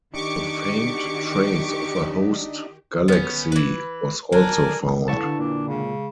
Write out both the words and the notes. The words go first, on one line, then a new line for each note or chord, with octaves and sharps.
A faint trace of a host galaxy was also found.
D#3 D4 D#4 G4 C#6 D6 C#7
B3 C#4
E3 B4
D4 A#4 G#5
D3 E4 B4 F5 A5 C#6
A#2 D4
C#3 G#3